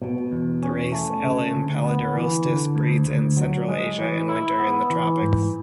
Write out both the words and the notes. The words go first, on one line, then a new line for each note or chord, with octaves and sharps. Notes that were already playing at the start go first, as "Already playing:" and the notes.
The race "L. m. pallidirostis" breeds in central Asia and winters in the tropics.
B2
E2
C#4
A3
C#3
D2
B3
E3
D3
D2
D2
F#3
G#3
E3
E4
B3
E3
G#2